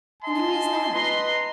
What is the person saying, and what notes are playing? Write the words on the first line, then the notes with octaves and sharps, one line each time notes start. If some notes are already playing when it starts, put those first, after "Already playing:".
And who is that?
D#5 G#5 A5 C6
B4 D#5 A#5 C6